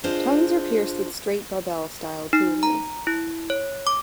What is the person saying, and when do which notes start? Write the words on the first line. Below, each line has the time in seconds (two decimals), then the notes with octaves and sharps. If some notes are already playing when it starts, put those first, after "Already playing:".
Tongues are pierced with straight barbell style jewelry.
0.04 D4 F4 G#4 C5 D#5
2.33 D#4
2.63 A#5
3.07 E4
3.50 C#5
3.87 D6